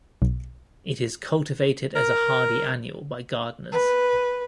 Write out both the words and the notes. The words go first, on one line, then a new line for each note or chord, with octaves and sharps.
It is cultivated as a hardy annual by gardeners.
B1
A#4
B4